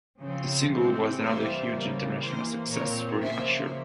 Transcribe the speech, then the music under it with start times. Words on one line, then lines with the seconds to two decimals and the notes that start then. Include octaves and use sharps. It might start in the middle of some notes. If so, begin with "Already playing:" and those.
The single was another huge international success for Usher.
0.20 C#3 F3 C4
0.70 C3 E3 G#3 C4
1.20 C3 E3 G3 A#3 C5 E5
1.71 C#3 G3 A#3
2.21 E3 A#3 C5
2.71 A#2 F3 C4 A#4 C#5
3.22 C#3 F3 A#3 C5 E5